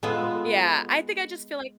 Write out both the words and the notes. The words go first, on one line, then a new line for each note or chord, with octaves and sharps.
Yeah, I think I just feel like
G#3 B3 F4 A4